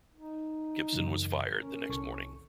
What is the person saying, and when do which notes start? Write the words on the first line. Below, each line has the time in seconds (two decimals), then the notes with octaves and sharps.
Gibson was fired the next morning.
0.15 D#4
0.93 F#2 C#3 E3
1.55 C#4 A#4
1.89 C2 A4 C#6